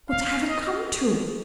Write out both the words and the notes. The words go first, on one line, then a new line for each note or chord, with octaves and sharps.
"What have it come to?"
F5
D#5